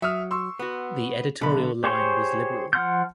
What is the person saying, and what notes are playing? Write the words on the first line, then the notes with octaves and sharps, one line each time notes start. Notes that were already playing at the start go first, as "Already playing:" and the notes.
The editorial line was liberal.
F#3 E5 D#6 F6
C6 C#6 E6
B3 F#4
B1 D3 B5
G4 G#4 C5 C#5 G5
F3 F#5 C6 F6 G6